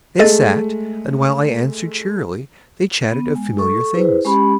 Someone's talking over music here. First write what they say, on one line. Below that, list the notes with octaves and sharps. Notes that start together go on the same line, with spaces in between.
They sat, and while I answered cheerily, they chatted of familiar things.
G#3 A3 A4 D#5 A6
B3
G#3
A4 C#6
E4 G#4 B4 C5
G#3 C#4 G4 B5